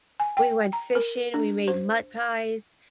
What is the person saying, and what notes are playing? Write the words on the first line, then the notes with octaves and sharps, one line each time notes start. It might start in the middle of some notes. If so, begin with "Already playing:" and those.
we went fishing, we made mud pies,
G#5
G5
A#5
A#4
D4
C5